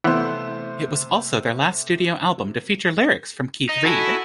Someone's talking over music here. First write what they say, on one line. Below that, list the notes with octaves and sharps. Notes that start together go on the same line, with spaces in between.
It was also their last studio album to feature lyrics from Keith Reid.
C3 E3 A3 B3 C5
D#4
E4 F#4 A4 G#5